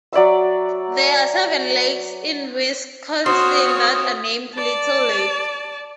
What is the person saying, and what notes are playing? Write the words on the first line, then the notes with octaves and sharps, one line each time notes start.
There are seven lakes in Wisconsin that are named Little Lake.
F#3 D5 E5 E6
C4 F#4 C5 C#5 D#6 F6
D5 A5